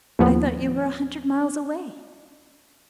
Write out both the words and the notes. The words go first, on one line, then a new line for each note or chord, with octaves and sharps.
I thought you were a hundred miles away.
D#2 A2 F3 B3